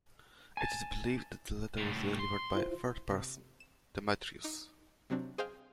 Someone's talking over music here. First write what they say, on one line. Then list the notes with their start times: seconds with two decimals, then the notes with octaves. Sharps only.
It is believed that the letter was delivered by a third person, Demetrius.
0.57 G#5 A5
1.77 C2 A2
2.19 C6
2.55 E4 F4 C5
3.10 C3
3.60 E7
4.44 D#4 D6
5.10 C3 F#3 C4 D4
5.38 G#4 C5 D#5 F5 G5 F6